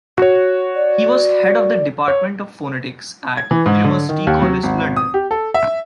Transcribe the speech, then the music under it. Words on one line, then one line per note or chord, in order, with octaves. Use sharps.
He was head of the Department of Phonetics at University College, London.
F#4 C#5
D5
C#5
G#6
E3
G#2
D3
D#3
D#2
F#3
G#1
D#6
G4
A4
E5